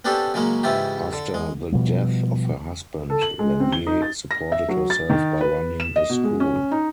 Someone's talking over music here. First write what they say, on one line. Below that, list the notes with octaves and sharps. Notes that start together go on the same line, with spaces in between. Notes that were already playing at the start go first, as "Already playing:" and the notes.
After the death of her husband, Lanier supported herself by running a school.
B3 C#4 D4 G4 A4 C5
C#3 F#3 G#3 A#3 C#4
G#2 C#3 E3 E4 F4 G4
D3
G#3
B2 F3 G3
A4
F#7
G#3
C4
G7
D#4
A6
A#6
E5
F#3
A6
D#3
B4
E7
D#5
B2
G#3
C#4
D#4